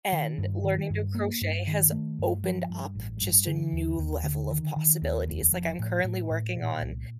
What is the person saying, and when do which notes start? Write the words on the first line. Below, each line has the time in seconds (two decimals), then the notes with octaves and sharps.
and learning to crochet has opened up just a new level of possibilities, like, I'm currently working on
0.12 D#3
0.38 G2
0.64 D#3
0.90 G2
1.15 A#3
1.41 G2
1.67 D#3
1.92 A3
2.19 G2
2.44 F3
2.69 G2
2.95 A1
3.21 G2
3.47 D3
3.73 D#2
3.99 D#2
4.24 D3
4.51 D#3
4.76 D#3
5.02 D#2
5.27 F1
5.53 F3
5.79 A2
6.04 A2
6.30 A2
6.56 A#2
6.82 C2